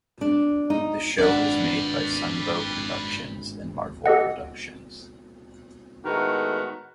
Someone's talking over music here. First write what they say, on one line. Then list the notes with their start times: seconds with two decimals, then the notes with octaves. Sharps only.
The show was made by Sunbow Productions and Marvel Productions.
0.21 D4
0.70 D#4
1.19 G#1 G2 D#3 D4 B4 D5 F#5
4.06 G4 A4 D#5 F#5
6.06 A2 D#3 G#3 A3 B3 F#4